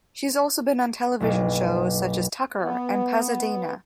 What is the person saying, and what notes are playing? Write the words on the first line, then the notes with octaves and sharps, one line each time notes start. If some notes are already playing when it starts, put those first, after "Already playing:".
She has also been on television shows such as "Tucker" and "Pasadena".
F#1 B1
B3